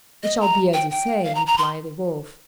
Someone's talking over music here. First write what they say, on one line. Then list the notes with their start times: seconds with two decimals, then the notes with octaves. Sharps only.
"It shall be as you say," replied the Wolf.
0.23 D#5
0.40 A#5
0.73 G5
0.91 G5
1.24 F5
1.35 A#5
1.46 A#5
1.58 C6